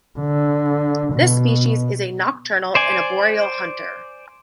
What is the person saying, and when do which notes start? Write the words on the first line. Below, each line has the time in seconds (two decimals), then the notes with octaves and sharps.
This species is a nocturnal and arboreal hunter.
0.20 D3
1.14 B2
2.75 C5 D5 G#5